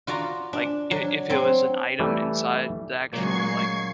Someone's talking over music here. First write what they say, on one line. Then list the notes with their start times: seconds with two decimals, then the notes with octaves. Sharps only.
like, i if it was an item inside the actual, like,
0.07 F4 F#4 D5 A#5
0.53 D4
0.91 F#3 D4
1.30 F#3 C4
1.99 E3 G3 A3
3.13 A#2 C#3 F#3 G#3 C#6 G#6 C7